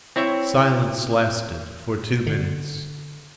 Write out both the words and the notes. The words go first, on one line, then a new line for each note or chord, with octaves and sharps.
Silence lasted for two minutes.
C4 E4 C#5 E5
D3